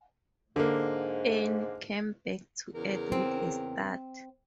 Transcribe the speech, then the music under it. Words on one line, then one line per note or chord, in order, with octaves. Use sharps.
Anne came back to earth with a start.
G#2 D3 A#3
E2 C#3 A#4
C4